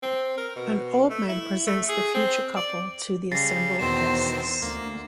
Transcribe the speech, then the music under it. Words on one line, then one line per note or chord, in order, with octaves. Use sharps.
An old man presents the future couple to the assembled guests.
C4
A#4
B2
A3
E4
A3
G#4
C4
D5
C#3 G3 A6 A#6 C7
E2 B2 D#3 C4 C5 E7
D2 A#3